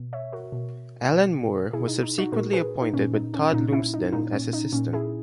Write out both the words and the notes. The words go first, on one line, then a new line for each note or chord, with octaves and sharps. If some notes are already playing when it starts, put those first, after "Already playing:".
Allan Moore was subsequently appointed with Todd Lumsden as assistant.
Already playing: B2
C#5 E5
F#4 A#4
B2
B2
B2 E4 G#4
D#4
D#4
D#4 F#4
A#2 F#4 A#4
G#4 B4
D#4
A#2 C#4
D#4
C#4
A#2 D#4
C#4 E4
D#4
A#2 D#4
C#4
D#4
A#2 C#4
E4 G#4